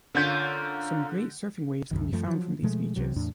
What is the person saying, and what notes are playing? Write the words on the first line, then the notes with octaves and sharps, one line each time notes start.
Some great surfing waves can be found from these beaches.
D3 A#3 C#4 F4 G6
C2 F#2 D#3
F#2 F3 A3
F3 F#3
B2 F3 G#3 A3
C2 C3 F#3
E2 A2 D4